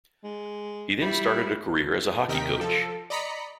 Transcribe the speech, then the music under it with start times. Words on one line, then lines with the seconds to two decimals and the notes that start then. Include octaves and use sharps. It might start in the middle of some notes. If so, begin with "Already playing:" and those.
He then started a career as a hockey coach.
0.24 G#3
1.02 G3 E4
2.28 D#2 C3 A#4 D#5 G5 B6
2.61 F3 A4
3.10 D5 D#5 A#5 B5 B6 C#7